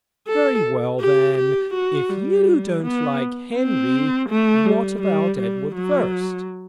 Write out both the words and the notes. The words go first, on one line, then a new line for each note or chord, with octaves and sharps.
"Very well then, if you don't like Henry, what about Edward I?"
A4
G4
G4
F#4
G3
B3
C4
A3
G3
G3
G3
F#3